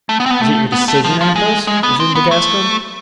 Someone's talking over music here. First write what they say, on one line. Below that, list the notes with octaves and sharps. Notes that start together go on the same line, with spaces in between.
"Is it your decision, Athos?" resumed the Gascon.
A3
B3
C4
B3
A3
B3
A3
F3
F3
G#3
G#3
B3
C4
B3
A3